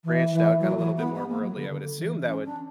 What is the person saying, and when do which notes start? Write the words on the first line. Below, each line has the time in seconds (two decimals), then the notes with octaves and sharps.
branched out, got a little bit more worldly. I would assume that would
0.04 E3
0.32 E3
0.60 F#3
0.77 E3
0.97 B3
1.15 B3
1.29 A#3
1.42 F#3
1.56 D3
1.70 D3
1.97 E3
2.25 C#4
2.44 D4